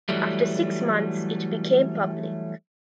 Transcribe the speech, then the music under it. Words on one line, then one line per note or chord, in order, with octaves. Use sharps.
After six months, it became public.
E3 F#3 G3 A3